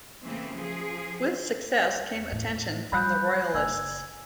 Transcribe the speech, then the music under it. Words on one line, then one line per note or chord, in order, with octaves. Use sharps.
With success came attention from the Royalists.
C#3 E3 A3 A#3 C4
F3 G#4
C#5
A2
G3 B5 F#6 G6
F#1 G#5 E6 G#6